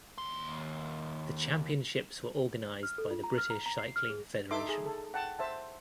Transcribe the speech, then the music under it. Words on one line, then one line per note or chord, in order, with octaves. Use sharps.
The Championships were organised by the British Cycling Federation.
D#2 C6
F6
A4
F4
A#5
F6
A#5
A#5
C7
F6
G#4
D#4 A4 E5 C6 D6
G#4
A4
F#5 G5 A5
C5 E5 A5